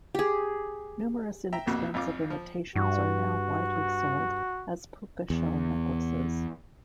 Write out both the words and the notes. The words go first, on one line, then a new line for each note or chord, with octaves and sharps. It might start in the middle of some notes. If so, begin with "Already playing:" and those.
Numerous inexpensive imitations are now widely sold as puka shell necklaces.
G4 G#4
E5 G5 A#5
A#1 F2 B2 A#3 F#4 F#6
G#1 F2 F4 D6
F3
G2 F#4
E2